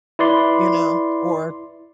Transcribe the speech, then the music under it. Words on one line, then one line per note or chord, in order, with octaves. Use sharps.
you know, or
E4 B4 D5 C6